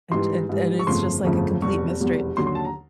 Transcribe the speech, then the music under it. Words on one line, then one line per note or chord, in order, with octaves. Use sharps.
and and and it's just, like, a complete mystery,
G#2 E3 G3 C6
G#2 E3 G3
C#6
G1 F2 C#3 F3 A3 C6
G1 F2 C#3 F3 A3
F1 E2 B2 G3 C#6
F1 E2 B2 G3
D#2 D3 F#3 C6
C6
A5
A#5